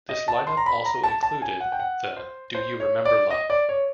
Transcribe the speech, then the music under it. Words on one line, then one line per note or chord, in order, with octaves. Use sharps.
This lineup also included the Do You Remember Love?
D#5
A5
C6
A#5
B5
A#5
A5
A5
G#5
F#5
G5
F#5
C5
C5
C#5
D5
D#5
D5
C#5